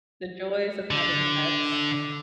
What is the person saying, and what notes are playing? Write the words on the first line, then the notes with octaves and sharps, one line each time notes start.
the joys of having pets.
D3